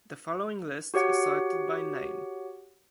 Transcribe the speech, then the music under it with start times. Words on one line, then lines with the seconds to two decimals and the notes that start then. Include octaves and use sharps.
The following list is sorted by name.
0.94 F#4 G4 C#5 F#5